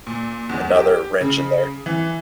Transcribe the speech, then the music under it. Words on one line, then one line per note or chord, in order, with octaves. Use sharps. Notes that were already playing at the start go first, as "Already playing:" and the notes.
another wrench in there.
A#2
E2
G4
C#3
E3